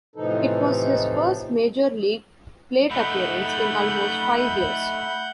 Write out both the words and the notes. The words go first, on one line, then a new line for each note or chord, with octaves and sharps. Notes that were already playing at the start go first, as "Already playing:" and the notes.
It was his first major league plate appearance in almost five years.
A2 C3 E3 F3 D#4 A4
A3 D#4 F#5 B5 G6